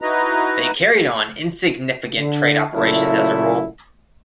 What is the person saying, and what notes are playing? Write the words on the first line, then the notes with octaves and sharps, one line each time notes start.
They carried on insignificant trade operations as a rule.
D#4 E4 F#4 B4 D#5 A#5
D3
A#2 C#3 F#3 A3 E4